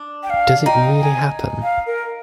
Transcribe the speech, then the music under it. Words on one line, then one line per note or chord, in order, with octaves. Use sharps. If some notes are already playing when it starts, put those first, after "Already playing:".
Does It Really Happen?
Already playing: D4
G5
F5
D#4 G5
G#5
F5
A#4